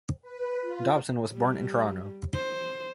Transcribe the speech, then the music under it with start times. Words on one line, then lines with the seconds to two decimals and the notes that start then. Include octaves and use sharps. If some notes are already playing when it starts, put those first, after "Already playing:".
Dobson was born in Toronto.
0.22 B4
0.61 F4
1.33 G3
2.34 C5